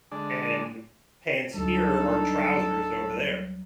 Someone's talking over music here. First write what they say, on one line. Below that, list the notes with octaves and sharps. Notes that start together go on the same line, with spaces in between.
And pants here are trousers over there.
D3 G#3 D4
D2 F#3 G3 D4 D#4 A4